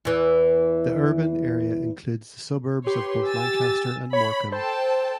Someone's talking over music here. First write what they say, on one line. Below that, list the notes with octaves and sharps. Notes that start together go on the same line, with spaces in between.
The urban area includes the suburbs of both Lancaster and Morecambe.
E2 E3
G4 B4 C#5 C6
G#5 E6 A6
C#5 B5
A4 C5 G5 A5